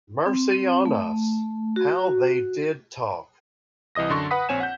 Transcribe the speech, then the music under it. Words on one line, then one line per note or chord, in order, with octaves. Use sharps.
Mercy on us, how they did talk!
C4
A3
F#4
C2 E3 D#5 D#6 A#6
F#2 D3 A4 C6 C#6
B4 F#5 B5 D#6 B6
A#1 C4 C#5 G#5 E7
F#5 G6